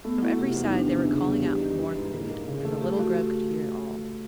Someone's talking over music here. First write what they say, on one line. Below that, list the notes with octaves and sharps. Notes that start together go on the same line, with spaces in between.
From every side they were calling out for more food, and the little Grub could hear it all.
A3 B3
E4 F#4
C3 G4
F4
E2
D#4
D#3 D4
C3
C#3
E2
G3 G4
D#4
E3
G#2
A#2
A#3
C#3
A3
A3 G4
F4 F#4